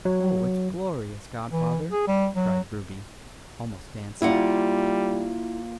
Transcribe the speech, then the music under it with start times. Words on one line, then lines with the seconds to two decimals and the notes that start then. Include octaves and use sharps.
"Oh, it's glorious, godfather," cried Ruby, almost dancing.
0.05 F#3
1.51 E3
1.91 G#4
2.07 G3
2.36 F#3
4.22 G3 A#3 E4 F4 F#5